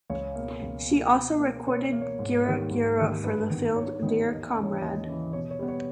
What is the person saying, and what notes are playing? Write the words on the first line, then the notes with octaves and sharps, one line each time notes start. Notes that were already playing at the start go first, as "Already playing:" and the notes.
She also recorded Gira Gira for the film Dear Comrade.
C#2 C#5
B2 A#3
C#2
B2 A#3
B2
A#3
B2 C#5
C#5
A#3
C#5
G#2
D#3 G3 A#3
G#2
D#3 G3 A#3
G2 B4
D#3 G3 B3
G2 C#5
D#3 G3 B3 D#5
D#2 D#5
D#5
C#3 E3
C#5
D#2 D#5
C#3 E3
B2 C#5
C#5
G3 B3
C#5